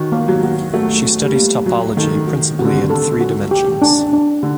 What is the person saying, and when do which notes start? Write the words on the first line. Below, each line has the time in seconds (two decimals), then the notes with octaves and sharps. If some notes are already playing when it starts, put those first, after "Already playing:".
She studies topology principally in three dimensions.
Already playing: D#3 F#4
0.12 A#3
0.28 F#3
0.43 F#4
0.73 A3 F#4
1.05 F#4
1.20 G3
1.36 A#3
1.66 F#3 A#3
1.97 D#3 A4
2.27 F#4
2.59 C3 F#4
2.65 D3
2.73 C3
2.90 A4
3.21 F#4
3.51 G4
3.82 D4
4.13 D4
4.43 D3